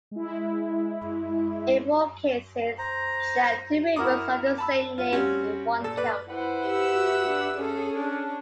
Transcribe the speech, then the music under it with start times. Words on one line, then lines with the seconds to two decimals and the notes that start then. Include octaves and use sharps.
In four cases there are two rivers of the same name in one county.
0.11 G#3 E4
2.78 C5 A#5
3.96 E4 F#4 A#4 A#5 D6 D#6
4.58 A5 B5 E6
4.98 F4
5.13 G3 C4 C#4 F#4
5.80 A#2 A4
5.97 B4 D5
6.29 E4 B4 C5 F#5
6.64 G4 E5 E6
6.92 F#4
7.28 D4
7.57 C#4 G#4 A4
7.95 D4